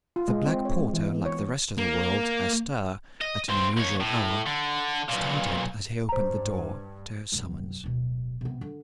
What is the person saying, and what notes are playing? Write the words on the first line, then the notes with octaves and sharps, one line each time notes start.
The black porter, like the rest of the world, astir at an unusual hour, started as he opened the door to her summons.
F4
G#3
C4
C#5
G#3
E3
B3
C#5
A#3
D#5
G2 C4
D#2 C#5
A2
D3
B1 A#2
G2 C5 A#5
C2 F#2
D1 B2
C3 B3
D3